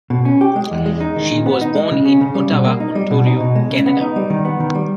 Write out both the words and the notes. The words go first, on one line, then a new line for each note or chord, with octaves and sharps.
She was born in Ottawa, Ontario, Canada.
B2
C#4
G4
G#3
E2
G#3
D#4
D#3
A#2
B3
D#4
G#3
C#3
C#4
C#3
G3
B2
A#3
D#4
G3
B2
D#4
B2
G#3
C#3
B3
D#4
G3
D#3
B3
D#3
G3